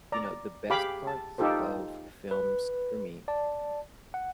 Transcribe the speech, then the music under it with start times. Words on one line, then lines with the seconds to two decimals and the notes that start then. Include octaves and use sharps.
you know, the best parts of films for me
0.12 D5 A#5
0.70 G4 G#4 F5 B5 D6
1.07 A5
1.38 D#4 F4 G4 A4 C5
2.31 B4
3.28 D5 A5
4.14 F#5